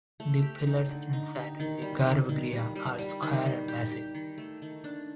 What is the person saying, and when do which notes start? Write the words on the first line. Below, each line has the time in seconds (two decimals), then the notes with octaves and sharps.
The pillars insider the garbhagriha are square and massive.
0.20 A3
0.42 G4
0.67 D#4
0.89 D3
1.13 D#4
1.36 G4
1.60 D#3
1.82 G3
2.06 D#3
2.29 D#3
2.53 G3
2.76 G3
2.99 G3
3.22 D#3
3.46 G3
3.68 G4
3.91 G4
4.15 D#3
4.38 A3
4.62 D#3
4.84 D4